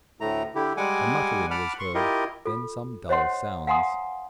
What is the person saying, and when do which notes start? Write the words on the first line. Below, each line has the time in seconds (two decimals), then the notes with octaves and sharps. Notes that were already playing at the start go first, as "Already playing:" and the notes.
A muttering was heard; then some dull sounds.
0.21 D2 A2 A3 A#5
0.55 D3 E4 G4
0.77 G3 G#3 F#5 G#5 D6
1.51 F#5 A5 B5 D6 F6
1.79 C6 C#6
1.94 E4 F4 G4 A#4 D#5
2.45 F4 A4
3.09 C5 C#5 D#5 F#5 C6
3.67 F5 F#5 G#5 A#5 C6 D#6